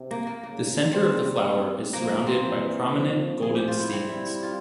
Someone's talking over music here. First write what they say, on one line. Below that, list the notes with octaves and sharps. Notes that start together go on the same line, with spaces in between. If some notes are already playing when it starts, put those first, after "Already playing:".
The center of the flower is surrounded by prominent golden stamens.
Already playing: C3
A#3
A#3
C#3 A#3
G3 C4
F3 A#3
A#3
C4
E3
F3
F3 G#4
G4
F4
E4
G3 C4
E4
E4
F4